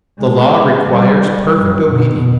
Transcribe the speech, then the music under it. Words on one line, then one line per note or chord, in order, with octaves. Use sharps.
The Law requires perfect obedience.
G#3
G3
F#2
B2